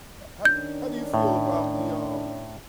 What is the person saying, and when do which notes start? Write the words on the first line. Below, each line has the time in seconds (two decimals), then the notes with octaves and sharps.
H how how do you feel about the, um
0.45 D#3 C#4 D4 G6
1.14 A2